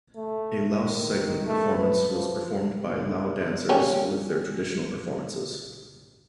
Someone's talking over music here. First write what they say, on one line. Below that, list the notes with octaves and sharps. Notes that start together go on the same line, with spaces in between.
A Laos segment performance was performed by Lao dancers with their traditional performances.
A3
D#3
A3
B4
F3
G3 A#3 C#4